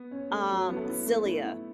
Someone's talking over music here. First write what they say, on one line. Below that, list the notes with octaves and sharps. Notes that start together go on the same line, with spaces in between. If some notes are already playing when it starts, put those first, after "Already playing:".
um, Xillia.
Already playing: B3
C#4
A3
F#3
B3 C#4
A3
B3 E4
A3
E4
E4